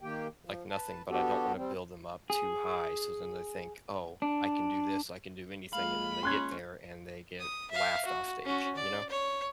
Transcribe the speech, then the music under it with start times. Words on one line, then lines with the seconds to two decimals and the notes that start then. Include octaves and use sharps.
like, nothing, but I don't wanna build them up too high, so then they think, "Oh, I can do this, I can do anything," and then they get there and they get laughed off stage, you know?
0.01 D#3 A#3 G4 G5
0.43 F3
0.71 B4 A5
1.10 B3 D4 F#4 G4 A4
1.56 G3 C4
2.30 G#4
4.22 D4
5.73 G#3 A#3 F4 F5 B5
6.23 C#4 C6 F#6 G#6
7.40 D#6
7.71 E5 F5
8.05 F#4
8.44 C#4 F#4
8.76 D5
9.09 C#5